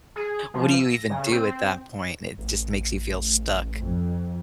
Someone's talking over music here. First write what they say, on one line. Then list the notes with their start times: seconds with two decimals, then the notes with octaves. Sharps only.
what do you even do at that point? It, just, makes you feel stuck,
0.16 G#4
0.54 F3
0.79 E6
0.90 A#6
1.10 C#3
1.31 C4
2.38 A1
3.76 F2